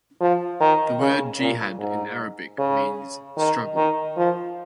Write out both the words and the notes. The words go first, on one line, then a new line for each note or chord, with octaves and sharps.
The word jihad in Arabic means 'struggle'.
F3
D#3
C#3
A#2
G#2
C#3
D#3
D#3
F3